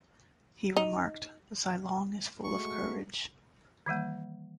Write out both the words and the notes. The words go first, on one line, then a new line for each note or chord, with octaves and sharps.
He remarked, Zilong is full of courage.
D#4
G#3 A3 F#4 C#6
D#3 E3 G3 A#3